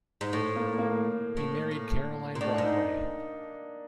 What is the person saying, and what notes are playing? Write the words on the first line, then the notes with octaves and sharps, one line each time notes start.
He married Caroline Brockway.
G#2
A2 A3
A#3
A#3
A2
A2
A#2
A2 D4
G#2
D#4